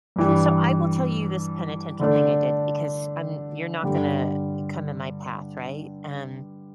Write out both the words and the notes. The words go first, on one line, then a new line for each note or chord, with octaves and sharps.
So I will tell you this penitential thing I did because I'm you're not gonna come in my path, right And
G2 E3 G3
D3 A3 D4
G2 D3 G3